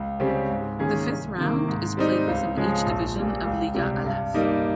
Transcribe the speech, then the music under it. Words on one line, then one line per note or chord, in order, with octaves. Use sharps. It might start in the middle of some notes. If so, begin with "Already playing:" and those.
The fifth Round is played within each division of Liga Alef.
Already playing: C#2
C#3 G3 C4 G4
G#2
D#3 A#3 C#4 G#4
C2
C3 D#3 A#3
G#2
G3 C4 D#4
C#2
C#3 F3 G#3
A#1
A#2 G3
C#2
C3 G3
G2
G3 A#3 D#4